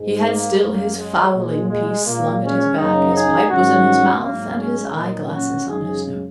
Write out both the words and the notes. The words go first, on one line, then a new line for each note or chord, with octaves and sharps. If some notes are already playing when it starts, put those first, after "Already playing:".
He had still his fowling-piece slung at his back, his pipe was in his mouth, and his eye-glasses on his nose.
Already playing: G#2 G#3
A#3
F#2 F#3 A#3
G#3
A#2 G#3
G#3
A#2 G#3 A#3
G#3 C#4
F#2 C#3 F#3 A#3 D#4
D#4 G#4
G#2 D#3 F#3 C#4 F#4
G#2 F#3 A#3
G#3 C#4
A#2 F#3 A#3 D#4
C#4 F#4
F#2 C#3 G#3 D#4 G#4